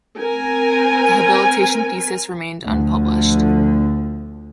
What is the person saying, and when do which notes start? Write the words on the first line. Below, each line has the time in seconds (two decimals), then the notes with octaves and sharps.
The habilitation thesis remained unpublished.
0.18 C4 A#4 G#5
2.61 D2 D3 F3